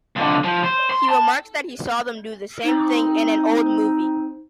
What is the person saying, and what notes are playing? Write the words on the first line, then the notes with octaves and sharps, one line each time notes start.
He remarks that he saw them do the same thing in an old movie.
F2 D3
F3
C5
C6
A5
C4 D#4